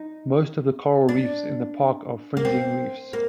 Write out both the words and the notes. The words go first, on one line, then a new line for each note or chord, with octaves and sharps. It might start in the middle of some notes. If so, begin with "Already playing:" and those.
Most of the coral reefs in the park are fringing reefs.
Already playing: D#4
D4
A#3
C4
A#3